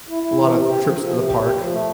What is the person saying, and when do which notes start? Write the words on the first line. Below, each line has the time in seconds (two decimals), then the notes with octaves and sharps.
A lot of trips to the park.
0.09 E4
0.23 E4
0.39 E3
0.52 C3
0.68 G4
0.83 F3
0.97 F3
1.12 C3
1.27 G4
1.42 G4
1.56 F3
1.72 A3